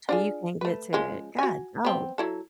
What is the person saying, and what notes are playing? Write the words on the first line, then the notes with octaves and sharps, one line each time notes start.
So you can't get to it. God, oh.
D4 F4 G#4
A3 B4
C#3 F3 G#3
F#4 G#5
B3 C4
F#3 E4 A4